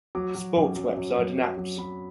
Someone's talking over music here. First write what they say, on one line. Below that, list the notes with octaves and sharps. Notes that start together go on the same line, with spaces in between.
Sports website and apps.
F#3 D6
F#3
F#2
F#3
F#3
F#2
F#3
F#3
F#3 B5